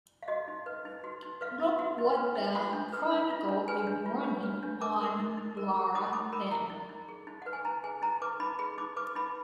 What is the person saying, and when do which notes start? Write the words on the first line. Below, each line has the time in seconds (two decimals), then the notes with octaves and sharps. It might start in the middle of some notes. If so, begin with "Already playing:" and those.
Look what the Chronicle is running on Laura Ben.
0.23 F5
0.28 F#4 D#5
0.48 D#4
0.66 B4
0.85 D#4
1.04 F#4
1.22 D#4
1.41 B4 F5
1.60 D#4
1.79 F#4
1.98 D#4
2.17 B4
2.35 D#4
2.55 F4 F#5
2.73 D4
2.93 B4
3.11 D4
3.30 F4
3.49 D4
3.68 B4 G#5
3.87 D4
4.06 F4
4.24 D4
4.43 B4
4.63 D4
4.81 A#4 D6
5.01 A#4
5.19 D#4
5.37 D#4
5.57 A#4
5.76 A#4
5.95 D#4 D#6
6.06 D#6
6.13 D#4 D6
6.32 A#4 B5
6.51 A#4 A#5
6.70 D#4
6.89 D#4
7.09 G#4
7.27 D#4
7.42 B4 F#5
7.53 G#5
7.65 D#4 A#5
7.84 G#4 G#5
8.02 D#4 A#5
8.22 B4 D6
8.40 D#4 B5
8.59 G#4 B5
8.78 D#4 D6
8.96 B4 D6
9.15 D#4 B5